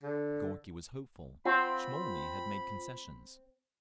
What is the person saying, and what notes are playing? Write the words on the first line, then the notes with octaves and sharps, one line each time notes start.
Gorky was hopeful; Smolny had made concessions.
D3
C4 F4 F#5 B5 C6